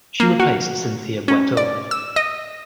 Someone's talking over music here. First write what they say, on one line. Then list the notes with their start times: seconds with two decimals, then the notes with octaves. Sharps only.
She replaced Cynthia Bioteau.
0.20 A#3
0.40 F#4
1.28 C#4
1.57 D5
1.91 E6
2.16 D#5